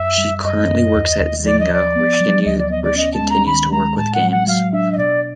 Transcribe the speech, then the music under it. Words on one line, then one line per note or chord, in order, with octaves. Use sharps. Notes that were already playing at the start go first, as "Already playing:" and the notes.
She currently works at Zynga, where she continues to work with games.
Already playing: F#2 E5
G3
F#2 D#5
F#2
D#2
D#2
F3 D5
D#5
F3 D5
B3
F#3
D2 D#5
D5
B3 D#5
D5
C#4 D#5
A5
G#3
A#5
D#3 B5
G#3 A#5
A2 A5
F#5
F#3
F#5
F#3 F5
D4 E5
D#5
B2 D5